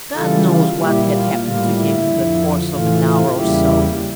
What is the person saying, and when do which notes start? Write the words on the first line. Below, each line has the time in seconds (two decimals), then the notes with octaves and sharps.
God knows what had happened to him in the course of an hour or so.
0.14 C#3 E3 G3 F4 A4
0.46 F4
0.78 A#2 G3 A#3 E4 G4
1.10 F4
1.43 A2 G3 A#3 F4
1.75 E4
2.07 F2 D3 F3
2.70 A2 E3 A3 F4
3.03 F4
3.34 E2 C#3 G3 A#3 E4 G4